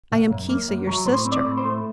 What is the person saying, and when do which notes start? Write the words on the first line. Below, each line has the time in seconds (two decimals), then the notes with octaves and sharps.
I am Kisa, your sister!'
0.12 A#2
0.30 F#2
0.49 A#3
0.69 F#2
0.87 F#3
1.06 A2 C5
1.25 C4
1.32 D5
1.44 A2
1.57 C5
1.64 A3